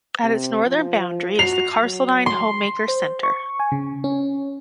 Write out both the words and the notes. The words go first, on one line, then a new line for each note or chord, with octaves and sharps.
At its northern boundary is the Carseldine Homemaker Centre.
C3
F3
F#4 C7 F7
F#3
C6
C5
C#6
G#5
C#3
C#4